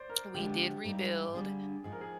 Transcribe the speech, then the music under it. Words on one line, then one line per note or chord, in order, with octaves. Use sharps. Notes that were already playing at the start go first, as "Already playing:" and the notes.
we did rebuild
Already playing: C5 D5
A#4
D3 F3 G#3 G4
G#2 G3 A#3 D#4
D3 G3 A#3 D4 G#4
G#2 F3 G#3 G#4
A#4
G#4